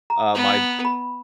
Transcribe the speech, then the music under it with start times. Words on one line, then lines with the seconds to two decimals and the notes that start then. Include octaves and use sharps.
Uh, my
0.10 A#5
0.34 B3
0.85 B5